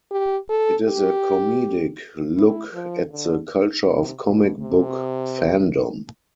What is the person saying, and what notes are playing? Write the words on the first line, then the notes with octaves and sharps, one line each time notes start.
It is a comedic look at the culture of comic book fandom.
G4
A4
G4
E4
F3
D3
C3
B2
C3